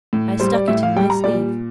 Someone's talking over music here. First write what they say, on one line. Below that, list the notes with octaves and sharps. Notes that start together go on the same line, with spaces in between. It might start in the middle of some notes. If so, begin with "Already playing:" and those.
'I stuck it in my sleeve.'
A2
G3 C5
D5
A2 E5
F5
G3 G5
A#5
A#2 D5